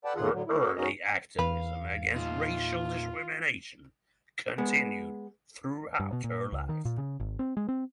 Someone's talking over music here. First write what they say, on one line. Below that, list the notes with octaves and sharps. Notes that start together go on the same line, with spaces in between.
Her early activism against racial discrimination continued throughout her life.
A4 B4 D5 F#5 G5 A5
E2 D#3 F4 G#4 F#5
A2 D3 F#3
E4
F#4 A4
C#4 D#4 F#4 G#4 A#4 D#5
E2 B4 F5
A#2 D#4 F4
G#3 B3
G2
B2
A#2
C#2
D#3
A#2
C#3
G#1
C4
G#3
C4